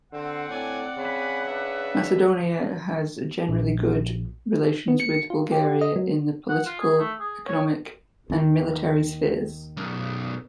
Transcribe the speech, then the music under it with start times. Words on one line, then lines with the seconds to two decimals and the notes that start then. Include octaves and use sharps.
Macedonia has generally good relations with Bulgaria in the political, economic, and military spheres.
0.13 D3 C4 F#5
0.50 A2 C4 D4 A4 D5 G#5
0.98 C#3 G#5 B5
1.45 D4 B4 E5
3.49 A#1
4.88 B3
5.00 C#7
5.30 F4
5.52 G4
5.81 D#5
5.96 F#3
6.49 F#5
6.66 F4
6.80 G#4
6.99 A3
7.20 G#4
7.48 C#5
8.30 D#2 D#3
9.77 B1 F#2